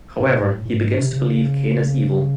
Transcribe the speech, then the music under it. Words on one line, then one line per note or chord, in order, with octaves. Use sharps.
However, he begins to believe Kane is evil.
A2
A#2
G#2
A2
A2
G#2
C3
C3
C#3